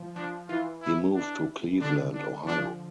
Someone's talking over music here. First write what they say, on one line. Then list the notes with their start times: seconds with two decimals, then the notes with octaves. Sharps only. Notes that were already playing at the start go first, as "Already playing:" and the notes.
He moved to Cleveland, Ohio.
Already playing: F3
0.16 F3 D4
0.48 E3 F4
0.82 E4
1.15 D4
1.81 D3 D4
2.14 D4
2.47 F3 D4